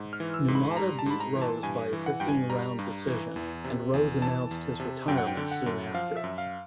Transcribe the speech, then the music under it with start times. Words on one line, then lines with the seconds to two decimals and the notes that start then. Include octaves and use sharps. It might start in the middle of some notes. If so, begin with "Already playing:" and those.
Numata beat Rose by a fifteen-round decision, and Rose announced his retirement soon after.
Already playing: G#2
0.13 F6
0.20 E3
0.34 E6
0.48 G#2
0.55 B5
0.71 A5
0.77 G3 A#5
0.99 A5
1.06 G#2 B5
1.20 A#5
1.35 E3
1.42 A5
1.63 G2 G#5
1.93 E3
2.06 F#5
2.20 G2 G5
2.28 G#5
2.50 G3 A#5
2.79 G2
3.07 E3
3.36 E2
3.64 C3
3.94 E2
4.22 E3 A5
4.51 E2
4.80 C3
5.08 F#2 G5
5.18 F#5
5.27 G5
5.37 D3
5.51 F#5
5.66 F#2
5.95 F3 F5
6.17 E5
6.24 F#2
6.38 F5